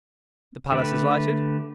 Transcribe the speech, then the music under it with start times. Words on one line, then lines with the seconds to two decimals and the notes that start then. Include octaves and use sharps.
The palace is lighted.
0.72 D3 A3 G4 B4